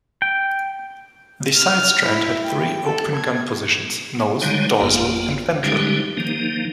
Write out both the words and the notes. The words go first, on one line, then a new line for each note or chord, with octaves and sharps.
The Sidestrand had three open gun positions; nose, dorsal and ventral.
G5
F6
E4
G5
A4
G#6
D3 D#3 G3 G#3 D#4 C#5
G1 F2 A#3 B3 F4
D3 G3 G#3 C#4 D#4 G4
D#3 F3 A#3 D#4